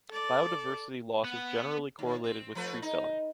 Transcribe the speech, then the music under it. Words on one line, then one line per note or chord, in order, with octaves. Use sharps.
Biodiversity loss is generally correlated with tree felling.
A4 D5
B3 F#5
D#2
C4
F3 A3 B4
D#4